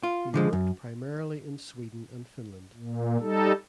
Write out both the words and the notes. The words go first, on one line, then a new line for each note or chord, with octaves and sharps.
He worked primarily in Sweden and Finland.
F4
D3 F3 G#3
F#2
A#2
G3 D#4 A4